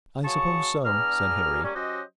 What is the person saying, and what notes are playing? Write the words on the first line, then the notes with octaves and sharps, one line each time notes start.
"I suppose so," said Harry.
F#3 A#3 G#4 A5 C#6
E2 B3 D4 G#4 A#5 F6
G3 A#3 C#4
F#3 C#4 F#4 G4 C5 D#5